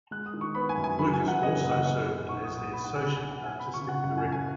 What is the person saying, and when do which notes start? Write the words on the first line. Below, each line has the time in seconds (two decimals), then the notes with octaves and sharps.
Lucas also served as the Associate Artistic Director.
0.11 G#3 F#6
0.26 D#6
0.33 D#3
0.41 C#6
0.55 B3 B5
0.69 G#5
0.77 F#2
0.84 G#5
0.98 F#3 B5
1.14 G#5
1.20 F#2
1.28 F#5
1.42 B3 D#5
1.57 D#5
1.64 F#1
1.71 F#5
1.85 B3
2.08 B2
2.29 B1 C#6
2.44 D#6
2.52 B1
2.59 D#6
2.73 B3 B5
2.84 F#5
2.94 B2 G#5
3.06 B5
3.16 B1 G#5
3.31 F#5
3.38 B1
3.46 G#5
3.59 B3 B5
3.74 C#6
3.81 C#3
3.89 F#5
4.03 F#2 F#5
4.17 G#5
4.25 F#2
4.32 G#5